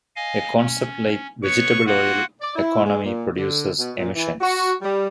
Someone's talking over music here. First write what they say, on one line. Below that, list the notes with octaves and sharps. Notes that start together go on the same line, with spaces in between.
A concept like vegetable oil economy produces emissions.
D#5 F5 G#5
C#4
B3 B4 C#5 C#6
A#3 F4 F#4 F#5
D5
E4
G#3
A#2
D3
B2
A#2
E3
F#4
G3